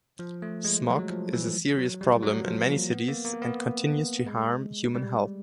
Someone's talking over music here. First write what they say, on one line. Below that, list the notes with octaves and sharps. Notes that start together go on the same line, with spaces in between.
Smog is a serious problem in many cities and continues to harm human health.
F3
A3
G#3
F#3
F#3
F3
E3
F#3
G3
F#3
F3
A#3
B3
A#3
A#3
B3
G#3
G3